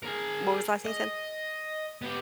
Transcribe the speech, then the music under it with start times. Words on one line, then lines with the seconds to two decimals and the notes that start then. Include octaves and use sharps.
What was the last thing you said?
0.03 G#4 A#4
0.86 D#5
2.02 B3 G4